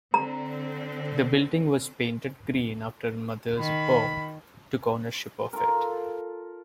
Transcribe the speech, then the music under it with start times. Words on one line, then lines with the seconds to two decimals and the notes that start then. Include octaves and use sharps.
The building was painted green after Mothersbaugh took ownership of it.
0.14 D3 C4 A#5
3.58 D#3 B5
5.53 F4 A4 A#4